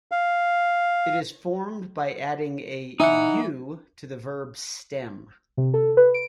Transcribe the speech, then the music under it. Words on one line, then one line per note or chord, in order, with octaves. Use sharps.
It is formed by adding a -u to the verb stem.
F5
E3 D#4 F#5
C3
A4
B4
D7